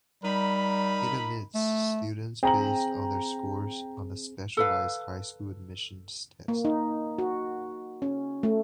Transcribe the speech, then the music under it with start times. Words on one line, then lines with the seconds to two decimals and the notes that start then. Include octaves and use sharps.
It admits students based on their scores on the Specialized High Schools Admissions Test.
0.24 G3 D#4 A#4 B5
1.55 A3
2.43 C4 G#4 G5 A#5 F#7
4.57 A4 B4 F5
6.48 A#3
6.65 D#4
7.18 F#4
8.02 C#4
8.43 A3